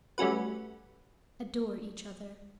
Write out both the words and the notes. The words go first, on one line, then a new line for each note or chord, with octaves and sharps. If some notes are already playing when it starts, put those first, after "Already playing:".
Adore each other.
G3 A3 C#4 F#4 B4